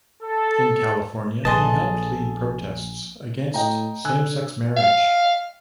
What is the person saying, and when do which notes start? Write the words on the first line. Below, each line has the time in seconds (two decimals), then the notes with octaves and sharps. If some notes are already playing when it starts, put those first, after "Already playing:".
In California, he helped lead protests against same-sex marriage.
0.22 A4
1.45 A#1 G#4 A4 B4 D#5 A5 C6
3.54 A2 D#5 G5 A#5
4.05 D3 G#5 E6 F#6
4.76 F5